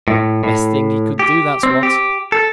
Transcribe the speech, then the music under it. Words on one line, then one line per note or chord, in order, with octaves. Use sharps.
Best thing he could do, that's what.
A2
A2
G4
C4
G4
A4